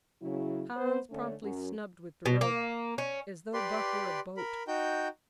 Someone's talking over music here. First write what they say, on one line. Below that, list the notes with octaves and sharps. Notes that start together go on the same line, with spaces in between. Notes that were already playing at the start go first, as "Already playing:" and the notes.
Hans promptly snubbed with the rope, as though Buck were a boat.
C#3 F#3 E4
B3 B4 C5
D3 A3 C#4
F#2
B2
A#3
C#4
G4 B4 D5 C6
A#4 B5
D#4 F#4 G5 G6